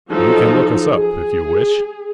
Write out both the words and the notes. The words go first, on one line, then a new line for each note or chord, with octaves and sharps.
You can look us up, if you wish.
F3 F#3 D#4 A4
G#4